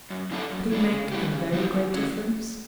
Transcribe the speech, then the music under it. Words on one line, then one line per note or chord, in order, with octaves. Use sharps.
Would it make a very great difference?
F#2
E3 B3 D4 A4
F#2
E3 B3 D4 A4
C#3
G3 B3 E4 G4
C#3
G3 B3 E4 G4
E2
D3 F#3 C#4